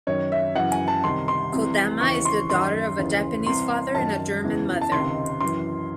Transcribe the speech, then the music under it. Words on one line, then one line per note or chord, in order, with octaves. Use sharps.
Kodama is the daughter of a Japanese father and a German mother.
F#2 D#3 C#5
E5
F#2 C#3 E3 F#5
G#5
A5
C2 C3 D#3 C6
C6
C2 C3 E3
D#2 C#3 E3 C#6
C6
F#2 D#3 C6
D#2 C#3 E3
C2 C3 E3 C6
F#2 D#3 A5
E2 C#3 E3
A5
C#2 C3 D#3 C6
F#2 E3 C6